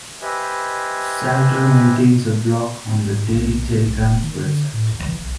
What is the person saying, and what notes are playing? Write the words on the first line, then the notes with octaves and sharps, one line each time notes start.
Salter maintains a blog on "The Daily Telegraph"'s website.
G4 B4 C5 D#5 E5 G#5
G#2
B1
B1
E1
D#3
D3
A2
D#2
E3
B1